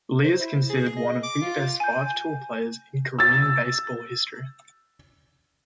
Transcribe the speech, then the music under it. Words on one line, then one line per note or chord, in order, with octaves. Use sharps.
Lee is considered one of the best five-tool players in Korean baseball history.
C5
E4
G#4
D#5
D6
F4
G#5 G6
E6 A6